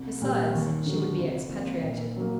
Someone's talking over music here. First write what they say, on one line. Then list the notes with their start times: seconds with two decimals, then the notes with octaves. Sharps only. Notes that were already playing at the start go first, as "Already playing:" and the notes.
Besides, she would be expatriated.'
Already playing: C2
0.22 A#2 G3
0.54 D#2
0.86 D3 F#3
1.19 C2
1.50 C3 F3 A#3
1.83 A#2
2.16 F#3 A#3